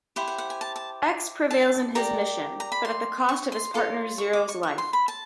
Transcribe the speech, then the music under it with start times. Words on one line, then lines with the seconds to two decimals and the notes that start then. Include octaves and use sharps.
X prevails in his mission, but at the cost of his partner Zero's life.
0.16 E4 G4 C5 F#5
0.28 F#5
0.38 F#5
0.50 G#5
0.61 A5
0.76 A5
1.51 A5
1.95 G4 A#4 D5 A#5
2.60 A#5
2.72 B5
2.85 C6
3.29 C#6
3.52 C6
3.74 F4 A4 C#5 C6
4.18 C#6
4.33 D6
4.49 C#6
4.63 C#6
4.78 C6
4.93 B5
5.08 A5